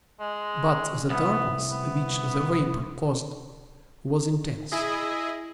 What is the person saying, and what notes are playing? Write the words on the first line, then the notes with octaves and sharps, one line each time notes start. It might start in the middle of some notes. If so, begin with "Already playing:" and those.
But the darkness which the vapour caused was intense.
G#3
C2 B3
B3
E4 G#4 D#5